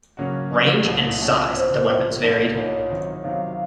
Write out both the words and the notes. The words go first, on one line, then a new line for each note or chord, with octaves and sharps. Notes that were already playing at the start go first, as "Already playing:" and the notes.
Range and size of the weapons varied.
C#3 F#3 A#3 C#4 F#4
C#3 F#3 A#3 C#4 F#4
C2 A#2 A3 C#4 F#4
C2 A#2 A3 C#4 F#4
C3 F3 C4 C5 C#5
C3 F3 C4
C2 A#2 A3 D#4
C2 A#2 A3 D#4 C#5
C3 D#3 F#3
C3 D#3 F#3 F5